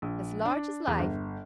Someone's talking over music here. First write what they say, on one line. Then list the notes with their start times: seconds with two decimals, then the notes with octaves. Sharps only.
"As large as life."
0.02 A#1
0.45 D4
0.87 E2
0.99 G1